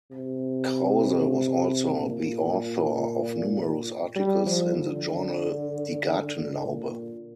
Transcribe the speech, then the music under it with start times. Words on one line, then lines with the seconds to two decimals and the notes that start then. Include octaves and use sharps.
Krause was also the author of numerous articles in the journal "Die Gartenlaube".
0.11 C3
1.97 A#2
4.16 G3
4.46 F3
4.77 D3
6.64 A#2